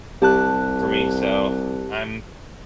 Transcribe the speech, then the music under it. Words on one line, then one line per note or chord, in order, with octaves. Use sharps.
for me, so, I'm
C2 G4 A5 F#6